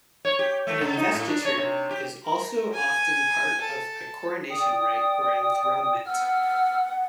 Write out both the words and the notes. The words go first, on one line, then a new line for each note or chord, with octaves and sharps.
An investiture is also often part of a coronation rite or enthronement.
C#5
G4
A3
C#3
D#4
A2
D4
C#5
C3
G4
A#4
G#5
A4
D5 G5 D#6
F#5 E6 F6